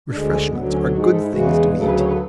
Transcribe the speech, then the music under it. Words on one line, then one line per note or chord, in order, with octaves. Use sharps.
"Refreshments are good things to eat!"
D2 D3 G#3 D4
C#4
D2 D3 F#3 B3
C#4
G#2 G#3 F#4
G#4
A4
E4
E2 C#3 E3 G#3 F#4
D2 C#3 F#3
A4
B4
C#5
B4
A4